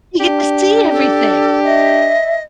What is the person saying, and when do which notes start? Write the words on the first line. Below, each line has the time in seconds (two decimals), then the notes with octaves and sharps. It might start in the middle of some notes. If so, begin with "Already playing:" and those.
You get to see everything.
0.20 D4 G4
0.92 A4
1.65 D#5 E5